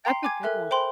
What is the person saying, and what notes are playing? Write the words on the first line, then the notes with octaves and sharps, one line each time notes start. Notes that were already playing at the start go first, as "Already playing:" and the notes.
that's a good one.
G5 A#5 C6 C7
G#5 D6 G#6
A4 A#4 E5 F#6
C5 G5 B5 C6